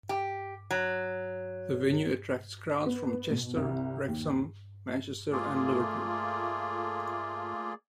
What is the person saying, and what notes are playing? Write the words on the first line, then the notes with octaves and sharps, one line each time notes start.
The venue attracts crowds from Chester, Wrexham, Manchester and Liverpool.
G4
F#3
B3
B2
C2
D#2
A3 A#3 F4 G#4 D5